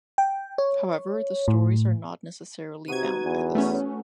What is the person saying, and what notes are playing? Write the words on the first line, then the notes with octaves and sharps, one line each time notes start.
However, the stories are not necessarily bound by this.
G5
C#5
A2
C3 D#4 F#4 B4 G#6 D#7
E2
A3 C#4